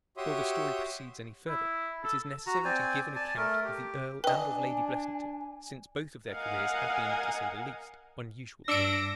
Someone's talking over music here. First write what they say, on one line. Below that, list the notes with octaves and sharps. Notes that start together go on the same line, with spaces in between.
Before the story proceeds any further it is necessary to give an account of the Earl and of Lady Blessington, since both of their careers had been, to say the least, unusual.
F#4 G4 C#5 E5 C6 D#6
E4
A4
F#4 A#5
C4 C5 D5 G#5
D5 G#5 A5
A3 A#4
G4
D4 B4 D#5 G5 G#5
A#4 D#5 F5 F#5 G#5
G2 D4 E6 A#6 C#7 D7